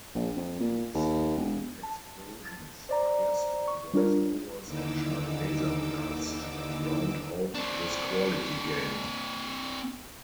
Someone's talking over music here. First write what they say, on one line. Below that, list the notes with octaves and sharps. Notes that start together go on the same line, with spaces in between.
Resounding explosions, crisp voice-overs, and sharp laser blasts round out this quality game.
A#1
F2
A#2
D#2
E1
A5
C5 D5 A#5
C#6
G3 D4 F4 A#4 C#5
D#2 D3 E3 D#4 D6 E6
C4 D4